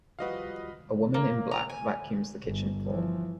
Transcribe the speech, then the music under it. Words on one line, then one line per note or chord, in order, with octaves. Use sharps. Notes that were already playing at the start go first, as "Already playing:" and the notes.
A woman in black vacuums the kitchen floor.
F3 G3 F#4 B4 D#5 F5
A#3
A#5
G#5
G1
E3 F3